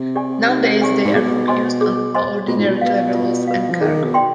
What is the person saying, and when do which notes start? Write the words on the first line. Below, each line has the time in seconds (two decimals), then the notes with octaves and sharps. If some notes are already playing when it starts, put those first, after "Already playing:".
Nowadays they are focused on ordinary travellers and cargo.
Already playing: C3
0.15 G4 D5 G#5
0.49 D#4
0.82 G4 D5 G#5
1.05 G#2
1.15 B2 G#4
1.48 C5 D#5 G#5 C6
1.81 G#4
2.15 C5 D#5 G#5 C6
2.47 B2 F4
2.58 G#2
2.69 B2
2.81 B4 F5
3.15 F4
3.47 B4 F5
3.70 F3
3.81 D#3 G#4
4.03 B2
4.14 D5 G5 C6